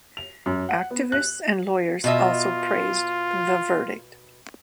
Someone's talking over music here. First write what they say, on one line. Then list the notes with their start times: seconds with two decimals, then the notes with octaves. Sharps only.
Activists and lawyers also praised the verdict.
0.17 F7
0.46 F#2
0.69 F#5
0.91 B3
1.12 F#6
2.04 B2 F4 D#5 E5